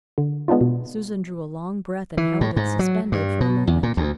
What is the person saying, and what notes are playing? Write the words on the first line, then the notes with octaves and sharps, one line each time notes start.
Susan drew a long breath and held it suspended for a moment.
D3
G#3 B3 D4 D#4 F4
B2
E3
A2
G#2
F#3
G2
B2
E2
A#2
D2